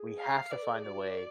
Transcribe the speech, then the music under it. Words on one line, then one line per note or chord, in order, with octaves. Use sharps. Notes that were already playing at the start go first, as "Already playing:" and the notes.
we have to find a way
Already playing: G#4
F5
B4 D5
A4
G#4
F#4 D5